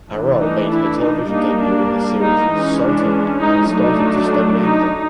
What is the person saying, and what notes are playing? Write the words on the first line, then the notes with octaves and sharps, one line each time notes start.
Aral made her television debut in the series "Sultan" and started to study acting.
E3 A3 D4
D#4
E4
D#4
G3 A#3 D4 D#4
D4
D#4
E3 G#3 C#4
D4
D#4
F#3 A3 D4 D#4
D#4